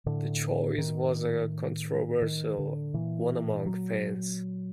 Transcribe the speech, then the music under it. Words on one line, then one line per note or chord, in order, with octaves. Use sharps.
The choice was a controversial one among fans.
A2 D3
D#3
D#3
D3
A#2 E3
F#3